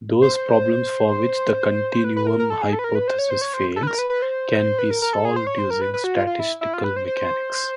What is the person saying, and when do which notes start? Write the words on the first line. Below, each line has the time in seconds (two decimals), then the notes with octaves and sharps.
Those problems for which the continuum hypothesis fails, can be solved using statistical mechanics.
0.22 C5
2.04 B4
2.16 B4
2.27 A#4
2.39 A#4
2.50 A4
2.62 G#4
2.73 A4
2.79 B4
2.84 A#4
2.95 B4
3.08 C5
3.19 C#5
3.31 C5
3.41 C#5
3.54 C5
3.76 A4
3.83 B4
3.87 A#4
3.98 B4
4.10 B4
4.22 C5
4.79 B4
4.91 A#4
5.02 A#4
5.13 A4
5.25 G#4
5.36 C5
5.47 C#5
5.58 C5
5.70 A#4
5.81 B4
5.94 B4
6.04 F#4
6.16 F4
6.27 F4
6.39 E4
6.61 E4
6.74 F4
6.84 B4
6.96 C5
7.07 C5